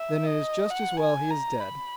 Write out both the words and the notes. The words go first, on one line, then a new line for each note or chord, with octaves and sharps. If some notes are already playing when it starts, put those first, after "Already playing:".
"Then it is just as well he is dead."
Already playing: E5
D#5
F#5
G#5
A#5
B5